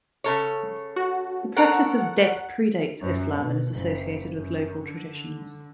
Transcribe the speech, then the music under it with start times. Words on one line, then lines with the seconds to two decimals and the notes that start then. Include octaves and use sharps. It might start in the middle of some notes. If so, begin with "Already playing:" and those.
The practice of deq predates Islam and is associated with local traditions.
0.24 C#3 A4 C#5
0.96 F#4
1.56 A4 A#4 C#5 F#5
3.01 F#2
3.40 B2
3.72 F#1
4.36 F#2
4.84 D3